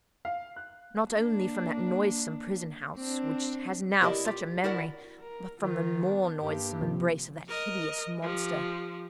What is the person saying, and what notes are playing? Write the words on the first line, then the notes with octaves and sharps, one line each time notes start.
Not only from that noisome prison-house, which has now such a memory, but from the more noisome embrace of that hideous monster.
F5
F#6
A#3 D4
C4 D4
E4 G4 A#4 B4 D5 D#5
F4 G4
E4 F#4 A#4 D5 F#5
A#4
D#3 F4
B3 D4
G2 A#3 G4
C3 F3
A#4 D#5
F3 G4